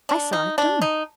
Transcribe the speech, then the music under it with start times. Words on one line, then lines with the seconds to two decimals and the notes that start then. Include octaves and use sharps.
"I saw it done."
0.09 D4
0.33 D#4
0.58 D4
0.82 D#4